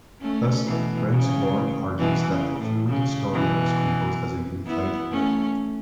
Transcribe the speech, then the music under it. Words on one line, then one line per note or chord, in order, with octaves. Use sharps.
Thus, Rendsburg argues that the Flood story was composed as a unified whole.
A3 C#4
B2 E3
C#3
B2 E3
C#3
A2
C#3
B2 E3
B3 E4
A3 C#4